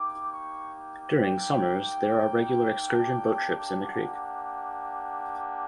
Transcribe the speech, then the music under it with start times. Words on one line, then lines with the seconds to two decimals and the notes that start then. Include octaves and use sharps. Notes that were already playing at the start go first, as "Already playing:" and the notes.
During summers there are regular excursion boat trips in the creek.
Already playing: A#3 D#4 G4 D6
0.32 C#6
1.18 G5
2.90 A#3 D4 G4
3.76 F#5